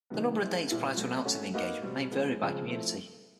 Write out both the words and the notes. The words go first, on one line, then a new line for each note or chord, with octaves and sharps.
The number of dates prior to announcing an engagement may vary by community.
C3 D#3 F#3 B3
G#3 C4 E4
A#2 G3 B3 E4
B2 F#3 A3
A3 C#4 F#4
A#3 D#4 F#4 B4 D#5
B2 G3 C4
F3 G#3 B3
C#3 F3 G#3 C4
F3 A3 C4 E4